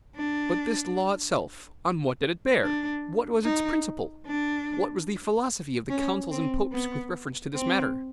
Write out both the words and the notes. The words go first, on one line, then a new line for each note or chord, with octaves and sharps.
But this law itself, on what did it bear?--what was its principle?--what was the philosophy of the councils and popes with reference to this matter?
D4
D4
D#4
D4
C#4
C4
B3
C4